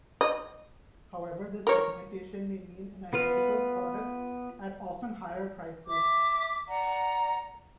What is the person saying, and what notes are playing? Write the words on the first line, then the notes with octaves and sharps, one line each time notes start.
However this segmentation may mean an identical products at often higher prices.
D#5
A#4 C#5
B3 F4 B4 F6
E5 D6
D5 F#5 A#5